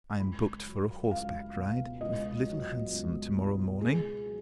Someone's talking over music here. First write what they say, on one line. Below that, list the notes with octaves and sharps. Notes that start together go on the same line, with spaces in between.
I am booked for a horseback ride with Little Handsome to-morrow morning.
C#2 B5
F#3
C#2 F5
B2
C#2 D#5
F#3
C#2
B2
C#2 G#4
F#3